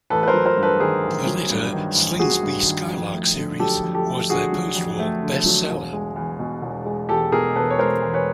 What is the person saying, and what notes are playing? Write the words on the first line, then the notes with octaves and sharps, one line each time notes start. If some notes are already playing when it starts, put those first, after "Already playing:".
The later Slingsby Skylark series was their post war best seller.
A1 A4 B4
B4
A#4 C5
F#3
A#4 C5
G2
A4 B4
D#3 G#4 A#4
A1
F#3
G2
D#3
A1
F#3 F#4 G#4
G2
D#3
F2
A3
D3
F#3 G4 A4
F2
G4 A4
A3
D3 F#4 G#4
F#3
F2
A3
D3
F#3
E1
G#3
E2
B2
E1
G#3
E2 G4 A4
B2 G#4 A#4
E1 A4 B4
C#5
G#3 A#4 C5
E2
B4 C#5